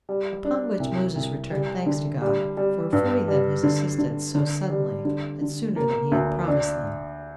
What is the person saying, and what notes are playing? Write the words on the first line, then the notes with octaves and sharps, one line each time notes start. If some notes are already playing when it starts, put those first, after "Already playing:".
Upon which Moses returned thanks to God for affording them his assistance so suddenly, and sooner than he had promised them.
G3
D4
C2
C2
G3
D3
G3
G3
G2
G3
D3
D3
D3
G3
D3
D3
A#3
D2
D4